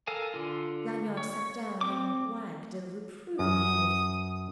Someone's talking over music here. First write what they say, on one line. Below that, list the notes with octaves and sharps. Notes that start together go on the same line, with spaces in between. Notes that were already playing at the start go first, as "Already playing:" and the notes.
Lanyard sat down and wagged a reproving head.
A4 A#4 F5 G#5
D3 F4
C#5
C4 D6
F#2 D#6